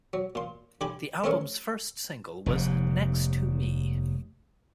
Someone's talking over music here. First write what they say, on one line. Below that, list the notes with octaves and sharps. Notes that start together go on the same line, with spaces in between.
The album's first single was "Next To Me".
F#3
A#2 C6
D3 G4 G#5 B5
A3 C4 C#4 G#4 A#4 C#5
F1 D#2 G#2